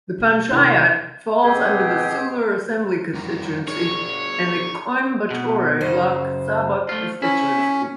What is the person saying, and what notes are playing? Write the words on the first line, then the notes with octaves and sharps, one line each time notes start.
The panchayat falls under the Sulur Assembly constituency and the Coimbatore Lok Sabha constituency.
B2 G#3
D#2 C3 D4 E4 A#4
B2 G#3 B3 C4 G4 G#4
F2 G3 A#4
D4 G#4 A#4 C#5
B2
F#2 C#3 C5
A3 F4
C#4 E4